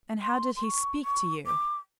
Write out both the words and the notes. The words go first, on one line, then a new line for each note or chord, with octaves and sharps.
'And how did he speak to you?'
C6
C6
C#6
C#6
D6